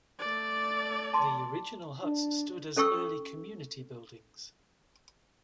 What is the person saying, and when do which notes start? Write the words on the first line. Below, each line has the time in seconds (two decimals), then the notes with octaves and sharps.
The original huts stood as early community buildings.
0.19 A3 D5
1.14 A5 C6 D6
2.04 D4
2.77 C#4 A4 G5 C#6 E6